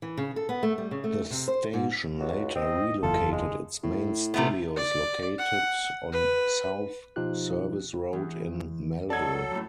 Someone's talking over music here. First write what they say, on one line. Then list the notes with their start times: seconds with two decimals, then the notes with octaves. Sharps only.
The station later relocated its main studios located on South Service Road in Melville.
0.02 E3
0.17 C#3
0.36 A4
0.49 B3
0.63 A3
0.78 G3
0.91 C#3
1.04 A3
1.30 C3
1.48 C5
1.73 G#2
2.19 C#2 F#4
2.55 C4 D#5
3.03 F#1 E2 F4 A4
3.32 G#3
3.84 A2
4.34 C3 A3 B3
4.77 D5
5.39 F#5
6.13 B4
7.16 B2 F3 D#4 F4 G4 F#6
8.13 E2
9.10 F#3 A4 D5 D#5 A5 G#6
9.51 F#2 A2